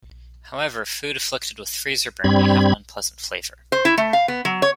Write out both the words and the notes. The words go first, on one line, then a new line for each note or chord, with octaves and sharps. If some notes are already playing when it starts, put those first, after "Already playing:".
However, food afflicted with freezer burn may have an unpleasant flavour.
G2 G3 C4 B5 G#6
C5
E4
A3
F5
B3
F#3
C#5